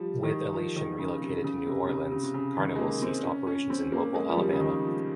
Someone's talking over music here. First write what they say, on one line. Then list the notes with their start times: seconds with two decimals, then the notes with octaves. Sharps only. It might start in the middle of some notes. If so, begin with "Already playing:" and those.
With "Elation" relocated to New Orleans, Carnival ceased operations in Mobile, Alabama.
Already playing: F3 G3
0.23 D#3
0.54 F3
0.76 D#3
0.99 C#3
1.21 C3
1.44 C#3
1.67 C3
1.84 C3
1.89 C#3
2.12 C#3
2.23 C3
2.34 C#3
2.57 D#3
2.76 G#3
2.79 A#3
3.02 C4
3.24 C#4
3.47 C#4
3.70 C4
3.92 A#3
4.14 G#3
4.29 F3
4.37 G3
4.53 C#3
4.60 D#3
4.82 F3